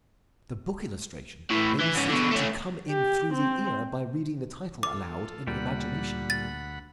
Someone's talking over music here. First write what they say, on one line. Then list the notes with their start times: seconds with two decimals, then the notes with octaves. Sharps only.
The book illustration may be said to come in through the ear, by reading the title aloud in imagination.
1.50 A2 E3
1.80 E3
1.95 G#2 C#4
2.08 B2 D3
2.31 A3 C#4
2.90 G4
3.34 C4
4.83 F4 A4 D6
5.47 D2 A#2 G3 F#5 B5
6.30 A6